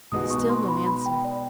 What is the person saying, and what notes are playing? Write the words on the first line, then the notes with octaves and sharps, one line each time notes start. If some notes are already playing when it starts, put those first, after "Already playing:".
Still no answer.
B2 G#3 B3 D#4 F#4 D#6
C#6
C6
B5
B5
G5
D5